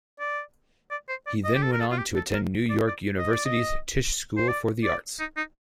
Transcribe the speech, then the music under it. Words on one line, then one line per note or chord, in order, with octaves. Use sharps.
He then went on to attend New York University's Tisch School for the Arts.
D5
D5
C5
D5
D#5
G4
A4
A#4
A4
F4
G4
A4
A#4
D5
D5
D#5
D5
D#5
C5
D5
D5
D#4
D#4